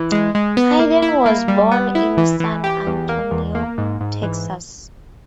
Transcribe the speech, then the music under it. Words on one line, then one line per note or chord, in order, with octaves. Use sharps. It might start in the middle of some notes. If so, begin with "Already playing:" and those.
Hayden was born in San Antonio, Texas.
Already playing: E3
G#3
G#3
B3
A#3
E4
A#3
G3
B3
E4
E3
E3
G4
E2
A#3
E2
A#3
G#2
G#2
E3